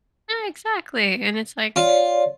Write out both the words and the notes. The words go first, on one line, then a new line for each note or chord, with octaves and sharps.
Ah, exactly, and it's like
F4 C#5 D5